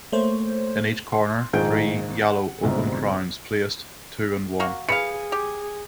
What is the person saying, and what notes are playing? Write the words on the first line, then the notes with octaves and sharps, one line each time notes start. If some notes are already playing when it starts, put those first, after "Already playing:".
In each corner three yellow open crowns placed two and one.
A3 A#3 C5 C#5
C6
A#1 G#2 D#3 G#4 G6 D7
F#5
C2 F2 G#2 B2 D3
A#3 F#4 A#4
G#4 B4 F5 C#7
G4 G#4